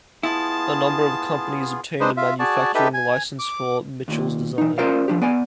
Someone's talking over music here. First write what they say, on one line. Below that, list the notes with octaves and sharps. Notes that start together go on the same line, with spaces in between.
A number of companies obtained a manufacturing licence for Michell's design.
B3 E4 F4 G#4 A5
G#3 D4 D#4 B4 C5 D#5
F4 E5 F5
F#4 G#4 D5 A5
D#4 G4 A4 B4 D#5 E5
G#5
D6
D#2 A#2
E3 D#4
C#4 F4 A#4 C5 D5 F5
F3 D4 G4
B3 D5 G#5